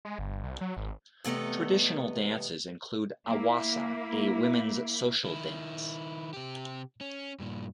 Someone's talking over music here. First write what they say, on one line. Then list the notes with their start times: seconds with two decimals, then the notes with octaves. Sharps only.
Traditional dances include "awasa", a women's social dance.
0.05 G#3
0.19 G1
0.43 C2
0.61 F#3
0.77 G#1
1.24 E2 C3 A3 B3 D#5
3.27 A#3 E4
5.24 D#3 E4
6.33 C3 G4
7.01 C#4
7.40 G2 A#2